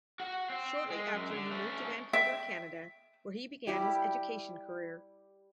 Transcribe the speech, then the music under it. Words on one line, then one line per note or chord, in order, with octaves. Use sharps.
Shortly after he moved to Vancouver, Canada, where he began his education career.
F#4 F#5
C4
G#3
F#2
D3
A3 C#4
E5 G5
G3 E4 G4